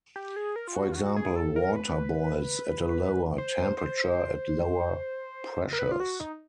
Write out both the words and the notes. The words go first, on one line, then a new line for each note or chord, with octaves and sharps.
For example, water boils at a lower temperature at lower pressures.
G4
G#4
A#4
F4
F#4
F4
F#4
G#4
A4
A#4
B4
C5
C5
A#4
B4
F4
F#4
D#4